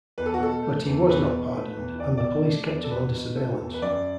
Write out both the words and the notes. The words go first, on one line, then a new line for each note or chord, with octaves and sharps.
But he was not pardoned, and the police kept him under surveillance.
E2 B4
A4
F#4
B2 A4
A3
E2
E2 B4
B2
A3
E2
E2 D5
B2 D5
A3
E2
A4
E2 B4
B2
A3 A4
E2
B4
F#2 D5